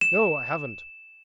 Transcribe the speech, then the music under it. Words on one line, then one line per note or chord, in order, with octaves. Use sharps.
'No, I haven't.
E7